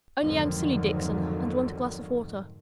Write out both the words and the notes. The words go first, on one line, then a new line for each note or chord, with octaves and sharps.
Only I'm silly, Dixon, and want a glass of water.
F2 G#2 D3 D#3 F3 F#3